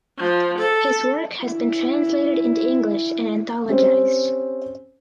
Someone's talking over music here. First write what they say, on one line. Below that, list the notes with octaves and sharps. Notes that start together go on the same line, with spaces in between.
His work has been translated into English and anthologized.
F3
A4
F#2 D3 E3 F#3 E4
C4 C#4 G4 C5